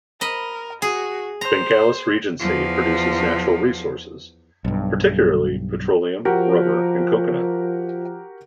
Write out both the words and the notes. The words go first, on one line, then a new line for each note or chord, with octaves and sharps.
Bengkalis Regency produces natural resources, particularly petroleum, rubber, and coconut.
A#4 D#5 B5
F#4 G#4
C5 A#5
E2 F3
B1 G2
F3 F#4 G4 A#4